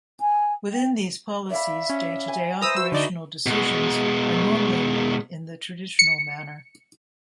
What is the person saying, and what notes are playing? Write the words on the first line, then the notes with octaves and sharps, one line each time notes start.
Within these policies, day-to-day operational decisions are normally made in the traditional manner.
G#5
G5
D5 E5 F5 B5
C#4
G#5
B4 C5 E5 A#5 D#6 E6
F#4 E6
D3 D#4 D5
B2 G#3
C#7